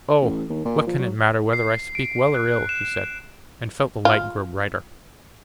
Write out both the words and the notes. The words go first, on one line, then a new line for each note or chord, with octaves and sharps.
"Oh! what can it matter whether I speak well or ill?" he said, and felt the light grow brighter.
A1
D#2
A#2
F3
F#3
C7
D7
F#6
E7
F4